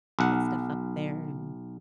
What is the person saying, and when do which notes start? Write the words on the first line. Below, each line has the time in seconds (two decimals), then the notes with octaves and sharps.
put stuff up there and,
0.19 B1 F#5